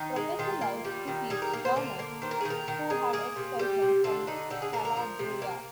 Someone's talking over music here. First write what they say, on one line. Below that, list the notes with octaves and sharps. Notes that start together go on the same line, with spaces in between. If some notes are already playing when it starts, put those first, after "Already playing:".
Protesilaus defeats Daunus, who had expelled him from Calabria.
Already playing: D#3 D#4
G#3
D#3 F4
A#3
G3
D#3
G3 G#4
A#4
A#3
C5
D3 A#4
A#3
D#3 C5
A#4
G#4
D#3
A#4
D#3
G#3
A#3 G#4
C3
G3 G4
C3
D3 F4
D3 D#4
D3 G4
G#4
D3 A#4
A#4
F3
C3
A#3